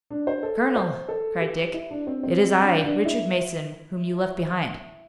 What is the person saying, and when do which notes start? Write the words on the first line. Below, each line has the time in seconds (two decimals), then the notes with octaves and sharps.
"Colonel," cried Dick, "it is I, Richard Mason, whom you left behind!"
0.10 D4
0.27 C5
0.43 A4
0.76 C5
1.09 A4
1.41 G4
1.74 E4
1.91 D4
2.07 C4
2.23 C4
2.40 C4
2.61 D4
2.84 D4
3.05 E4